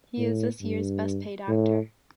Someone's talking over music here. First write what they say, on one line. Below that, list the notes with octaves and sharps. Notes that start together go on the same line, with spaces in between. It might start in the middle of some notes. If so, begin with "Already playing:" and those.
He is this year’s best paid actor.
A2
G2
A2